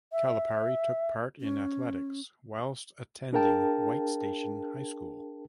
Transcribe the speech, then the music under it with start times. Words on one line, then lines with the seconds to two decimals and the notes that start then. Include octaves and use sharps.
Calipari took part in athletics whilst attending White Station High School.
0.12 E5
1.41 C#4
3.33 D4 G#4 A#4 F5 G5 A5